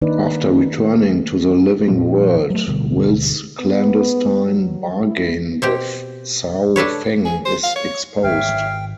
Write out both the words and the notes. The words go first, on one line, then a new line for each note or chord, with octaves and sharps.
After returning to the living world, Will's clandestine bargain with Sao Feng is exposed.
D#3 A#3 D4 D#4 B4 D5
A#2 F3 C4
F#3 A3
D1 B2 D3 G3
B3
F#3
E4
B2 C4 G4
D4 A4 B4 C#5
G#4
C5
F5
C#5
G#1 C#5 E5 F5 G5